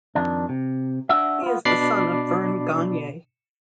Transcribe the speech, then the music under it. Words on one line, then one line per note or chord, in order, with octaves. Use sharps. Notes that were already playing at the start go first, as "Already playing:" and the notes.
He is the son of Verne Gagne.
F2 D#3 D4
C3
D4 F#4 E5
B3 F4
B2 D4 D5 B5 D6 C7